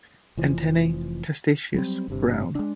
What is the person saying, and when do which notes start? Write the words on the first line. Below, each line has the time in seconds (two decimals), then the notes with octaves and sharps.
Antennae testaceous brown.
0.37 F1 E3 F3
1.74 F#3 G3 C4
2.08 G1 G2 C3
2.55 G#3 D4